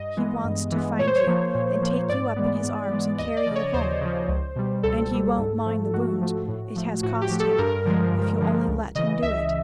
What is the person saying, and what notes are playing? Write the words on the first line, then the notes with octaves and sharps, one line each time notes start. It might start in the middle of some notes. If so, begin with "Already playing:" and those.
He wants to find you, and take you up in His arms, and carry you home; and He won't mind the wounds it has cost Him, if you'll only let Him do it.
Already playing: G2 D#5
E3 G#3 B3
G2
E3 G#3 B3
A#2 C#5
C5
C#5
F3 A#3
A#2
F3 A#3
G#2 D5
E3 G#3 B3
G#2
E3 G#3 B3
D#2 D#5
D5
C#3 F3
C#5
D#2 C5
C#3 F3
C#2
B2 G3
C#2 A4
B2 G3
G#2
F3
A3
G#2 F#4
F3 A3
A2
F3 A3
A2 F#4
G4
F3 A3
A4
G2 A#4
D3 F3 G#3
G2
D3 F3 G#3
C#2
C#3 E3 D#5
C#2 E5